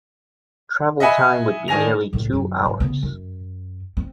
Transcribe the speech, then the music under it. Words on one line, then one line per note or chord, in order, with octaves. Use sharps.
Travel time would be nearly two hours.
D#5 E5 F#5 G#5 B5
D#3 D4 G#5 A#6 F7
C#2 A2
F#2 D4
G#2
C#3 B3
F#2
C4